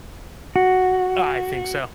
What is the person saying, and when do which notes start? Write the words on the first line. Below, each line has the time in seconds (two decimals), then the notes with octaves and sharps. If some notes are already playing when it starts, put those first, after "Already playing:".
I I think so.
0.56 F#4